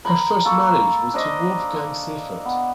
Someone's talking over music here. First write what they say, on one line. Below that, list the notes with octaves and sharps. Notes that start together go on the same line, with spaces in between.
Her first marriage was to Wolfgang Seyfert.
A#5 B5
A#3 A4 C#6
D4 C5 D#5
B3